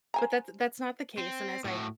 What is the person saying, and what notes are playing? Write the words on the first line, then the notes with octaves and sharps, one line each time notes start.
Bbut that that's not the case, and as I
C5 G#5 A#5
C4
A2 F#4